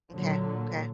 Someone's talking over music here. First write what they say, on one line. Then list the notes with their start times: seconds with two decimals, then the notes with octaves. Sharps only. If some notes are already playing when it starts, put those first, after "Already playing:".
Okay. Okay.
0.10 A#2 D3 F#3